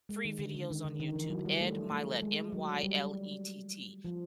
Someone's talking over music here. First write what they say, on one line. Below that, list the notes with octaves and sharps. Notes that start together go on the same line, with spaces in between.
free videos on YouTube. Ed Mylett. M-Y-L-E-T-T.
G#3
D#3
D3
D3
D#3
D3
D#3
E3
F#3
G3
A3
A3
G#3
F#3
G3
F3